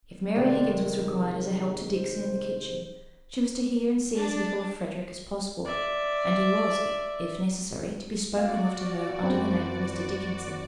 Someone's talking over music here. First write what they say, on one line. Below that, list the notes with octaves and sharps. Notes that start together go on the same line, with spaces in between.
If Mary Higgins was required as a help to Dixon in the kitchen she was to hear and see as little of Frederick as possible; and he was, if necessary to be spoken of to her under the name of Mr. Dickinson.
C3 D#3 G#3 D5
A#4
C5
D4
D5 E5
F#4 D5 F5
F#1 C4 G5